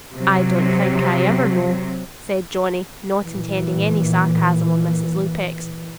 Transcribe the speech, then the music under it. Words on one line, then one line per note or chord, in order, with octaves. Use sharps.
"I don't think I ever know," said Johnny, not intending any sarcasm on Mrs. Lupex.
C3 F#3
A#2 E3